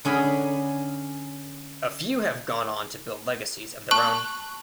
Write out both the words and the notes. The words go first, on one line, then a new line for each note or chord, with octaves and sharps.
A few have gone on to build legacies of their own.
D3 C#4 G#4 A#5 B5
A5 C#6 F#6